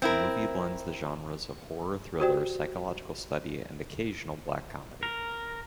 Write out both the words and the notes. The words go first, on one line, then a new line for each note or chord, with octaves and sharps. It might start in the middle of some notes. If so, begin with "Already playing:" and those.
The movie blends the genres of horror, thriller, psychological study, and occasional black comedy.
C4 E4 A#4
F#4 G4 C5 D5 G5
A#4